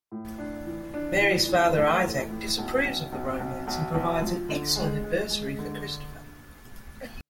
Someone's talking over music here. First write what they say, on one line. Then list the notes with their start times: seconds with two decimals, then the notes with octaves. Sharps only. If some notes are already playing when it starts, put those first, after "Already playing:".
Mary's father Isaac disapproves of the romance and provides an excellent adversary for Christopher.
0.12 A2
0.38 D4
0.67 E3
0.94 D4
1.21 E3
1.48 E3
1.76 A3
2.03 E3
2.30 A2
2.58 B1
2.85 B1
3.12 B1
3.40 B1
3.67 B1
3.94 B1
4.22 F3
4.49 D3
4.76 G#3
5.03 G#3
5.30 G#3
5.59 D3